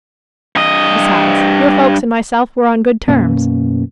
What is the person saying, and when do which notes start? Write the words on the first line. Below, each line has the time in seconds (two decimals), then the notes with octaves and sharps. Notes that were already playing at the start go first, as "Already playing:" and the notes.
Besides, your folks and myself were on good terms.
0.56 G2 D#5
3.08 F#2 B2 A#3 C#4